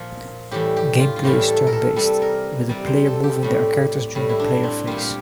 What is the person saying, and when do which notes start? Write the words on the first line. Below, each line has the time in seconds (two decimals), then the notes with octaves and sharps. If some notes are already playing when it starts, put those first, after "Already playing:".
Gameplay is turn-based, with the player moving their characters during the player phase.
Already playing: A#2 F3
0.51 A2 E3 G3 G4
0.77 G4
1.00 F4
1.16 F4
1.24 A2 E3 G3 G4
1.48 A4
1.67 A#4
1.73 A4
1.96 C3 G3 A4
2.22 A#4
2.69 C3 G3 D5
2.88 C5
3.06 A4
3.24 G4
3.43 A2 G3
4.15 A2 G3
4.29 E4
4.39 D4
4.63 C4
4.87 A#2 G3 F4
4.97 G4